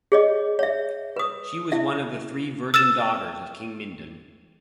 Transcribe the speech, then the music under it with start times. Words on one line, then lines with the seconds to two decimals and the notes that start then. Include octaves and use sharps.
She was one of the three virgin daughters of King Mindon.
0.12 G#4 C#5 D#5
0.59 C#5 E5
1.16 B4 D#6
1.72 E4 E5
2.74 E6 F6 A6 E7